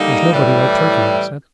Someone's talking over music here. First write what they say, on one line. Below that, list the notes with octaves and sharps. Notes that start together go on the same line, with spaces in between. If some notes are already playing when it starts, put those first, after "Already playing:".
"There's nobody like Turkey," I said.
Already playing: D3 G3 A#3 D#4
A2 E3 G3